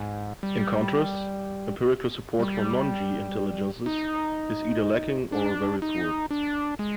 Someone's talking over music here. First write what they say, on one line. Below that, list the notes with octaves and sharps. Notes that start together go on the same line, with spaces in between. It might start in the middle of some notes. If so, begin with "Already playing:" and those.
In contrast, empirical support for non-"g" intelligences is either lacking or very poor.
Already playing: G#2
G3
G3
D#4
D4
D#4
D4
G#3